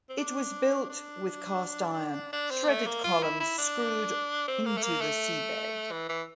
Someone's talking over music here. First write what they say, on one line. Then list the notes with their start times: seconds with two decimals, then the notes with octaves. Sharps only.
It was built with cast iron threaded columns screwed into the seabed.
0.09 C4
0.18 D4
0.89 D4
2.33 D4
2.51 C4
2.69 A3
2.87 A#3
3.04 F4
3.23 E4
3.40 E4
3.58 D4
4.48 C4
4.65 A#3
4.77 A3
4.84 A#3
5.01 A3
5.91 E3
6.09 E3